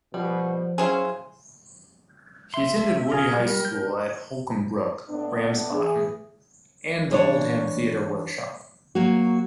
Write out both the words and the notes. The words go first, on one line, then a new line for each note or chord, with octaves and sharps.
He attended Woodhey High School at Holcombe Brook, Ramsbottom, and the Oldham Theatre Workshop.
B2 F3 G3
F#3 C#4 E4 F#4 G#4 C5 F5
E5 C6
F4 G#4 A#4
G3 A#4
G6
A2 B3 D4
E3 G#4
E3 D4 C#5
F#3 A#3 F#4